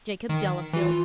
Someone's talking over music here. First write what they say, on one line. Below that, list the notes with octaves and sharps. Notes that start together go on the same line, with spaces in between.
Jacob Delafield?
D#3
E3 F4